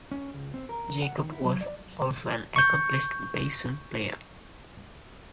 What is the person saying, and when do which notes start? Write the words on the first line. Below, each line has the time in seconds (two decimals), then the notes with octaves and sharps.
Jacob was also an accomplished bassoon player.
0.12 C#4
0.34 C#2
0.54 C4
0.69 A#4
1.02 F#5
1.19 D#3
1.32 E4
1.45 F#3
1.61 D5
2.56 C#6 G6